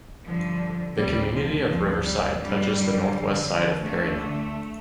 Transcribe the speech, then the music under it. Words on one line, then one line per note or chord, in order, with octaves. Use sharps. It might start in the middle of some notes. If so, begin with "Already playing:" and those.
The community of Riverside touches the northwest side of Perryman.
G2 D3 F3
D2 C3 G3
F3
D2 C3 F3
G3
G2 D3 G3
F2 D3
D2 D3 A3